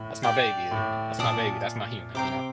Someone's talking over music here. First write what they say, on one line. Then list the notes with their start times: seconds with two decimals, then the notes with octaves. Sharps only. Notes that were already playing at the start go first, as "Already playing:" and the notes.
that's my baby, that's my baby, that's my human, you know.
Already playing: A2
0.23 G4 D5 G5
0.71 A2
1.19 A#2 D5 A5 D#6
2.14 C3 C5 G5 A#5 D6